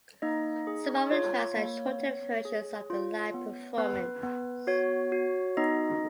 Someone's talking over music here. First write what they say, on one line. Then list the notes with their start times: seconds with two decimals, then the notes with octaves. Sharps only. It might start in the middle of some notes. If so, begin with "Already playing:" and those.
Some of the tracks are shortened versions of the live performances.
0.22 A#3 D#4 D#5
0.67 G#4
1.11 F4 C#5
1.56 A#3
2.00 B3
2.45 G#4
2.90 F4
3.34 B3
3.78 B3 B4
4.23 B3
4.67 F#4 C#5
5.12 F#4
5.57 B3 D#4 D#5